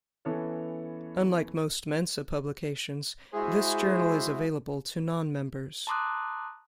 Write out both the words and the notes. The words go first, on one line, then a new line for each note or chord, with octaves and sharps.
Unlike most Mensa publications, this journal is available to non-members.
E3 B3 C#4 A4 C#5
G#3 E4 F#4 G#4 C5 E5
A5 A#5 C6 D6 D#6 F#6